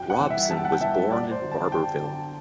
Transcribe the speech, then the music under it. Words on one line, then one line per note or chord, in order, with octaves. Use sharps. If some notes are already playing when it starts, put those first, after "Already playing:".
Robsion was born in Barbourville.
Already playing: F#2 G5
F#5
E3 G3
E5
F#2 A5
G5
F#5
G5
E3 G3 E5
F#2 D5
C5
D3 F#3
A5
F#2 G5
D3 F#3